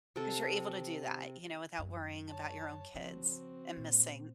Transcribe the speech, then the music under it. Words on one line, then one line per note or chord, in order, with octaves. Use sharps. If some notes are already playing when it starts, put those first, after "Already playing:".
'Cause you're able to do that, you know, without worrying about your own kids and missing
C3 A4
F#2 C#3
C#5 A5
C#3 F3 C4 F#4
A#2